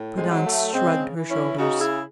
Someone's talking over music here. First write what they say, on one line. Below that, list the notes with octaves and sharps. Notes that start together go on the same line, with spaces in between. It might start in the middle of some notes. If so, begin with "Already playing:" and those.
Prudence shrugged her shoulders.
Already playing: A2
G#3 C4
F#3
A3
C#3 G#3 C4
E3
C#4 E4
C#3 D#4 F#4
E4 G#4